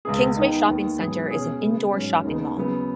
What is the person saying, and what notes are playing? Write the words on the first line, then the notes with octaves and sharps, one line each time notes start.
Kingsway Shopping Centre is an indoor shopping mall.
C#2 B2 B3 G#4
D#3 B3 D#4 G#4
D#2 D#3 B3
G#2 F#3 B3 G#4
B2 G#3 C#4 G#4
C#3 G#3 B3
G#2 F#3 C#4
D#2 C#3 B3 D#4
C#3 F#3 B3